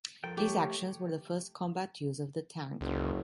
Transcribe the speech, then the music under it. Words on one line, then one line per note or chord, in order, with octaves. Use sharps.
These actions were the first combat use of the tank.
F3 A4 A#4 G5
A3 G4 C#5
F#1 C#2